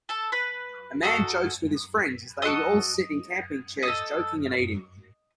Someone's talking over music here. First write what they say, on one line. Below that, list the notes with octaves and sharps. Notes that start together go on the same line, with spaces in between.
A man jokes with his friends as they all sit in camping chairs joking and eating.
A4 A5
B4 B5
D#4 F#4 A4
C4 F#4 A4 D#5 D#6
D#4 A4 D#5 D#6